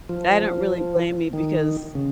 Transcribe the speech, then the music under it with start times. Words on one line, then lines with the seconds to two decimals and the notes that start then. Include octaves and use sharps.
I don't really blame you because,
0.09 F3
1.33 D#3
1.95 C#3